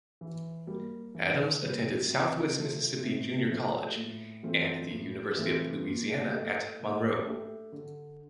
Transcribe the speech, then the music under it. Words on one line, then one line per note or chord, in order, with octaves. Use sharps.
Adams attended Southwest Mississippi Junior College and the University of Louisiana at Monroe.
E3
G3 A#3
E3
G3 A#3
C3
F3 A3 D4 F4
C3
F3 A3 D4 F4
A2
E3 A3 C4 F4
A2
E3 A3 C4 F4
A#2
A3 D4 G4
A#2
A3 D4 G4
D3